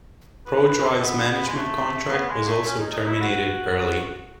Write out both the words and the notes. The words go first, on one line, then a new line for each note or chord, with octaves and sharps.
Prodrive's management contract was also terminated early.
B4
B4
A4
B3
B3
G#3
A3
B3
G#3
A3
C#4
D#4
D#4
E4
F#4